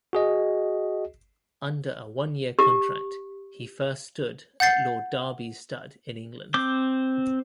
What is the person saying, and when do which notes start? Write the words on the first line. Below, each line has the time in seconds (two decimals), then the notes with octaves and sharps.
Under a one-year contract, he first stood at Lord Derby's stud in England.
0.13 F#4 G#4 D#5
2.59 G4
4.60 F#5 G6 A6 C7
6.54 C4 D6 G6